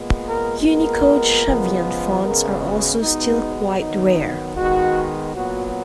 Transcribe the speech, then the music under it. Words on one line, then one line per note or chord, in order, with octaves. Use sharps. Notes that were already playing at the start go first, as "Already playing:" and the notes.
Unicode Shavian fonts are also still quite rare.
Already playing: A#2 G#3 B3
A#4
A#2 G#3 B3 A#4
C#3 F3 G#3 B3
C#3 G#3 B3 A#4
F#4
B2 G#3 B3 D#4
D#3 F#3 B3 D#4
D#3 G#3 B3 F#4
A#2 F#3 B3 F#4